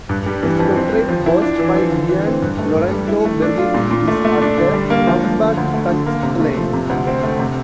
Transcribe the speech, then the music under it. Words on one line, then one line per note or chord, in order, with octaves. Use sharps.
His portrait bust by Gian Lorenzo Bernini is at the Hamburg Kunsthalle.
G2
G3
E3
F2
C4
C4
F3
E4
D4
E3
F3
D3
E3
C4
G2
A3
G2
G3
E4
A3
D4
F4
A#2
A#2
A3
A3
D4
D3
G3
A#3
F3
F3
D3
D2
A3
D3
A#3
C3
A3
F3
C3
D2
C4
A3
C3